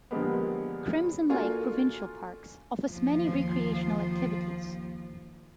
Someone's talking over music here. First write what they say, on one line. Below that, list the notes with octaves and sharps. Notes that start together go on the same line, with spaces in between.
Crimson Lake Provincial Parks offers many recreational activities.
D3 F3 G3 G#3 A#3 B3
A#3 D4 F4 F#4 A4 G#5
D#2 F3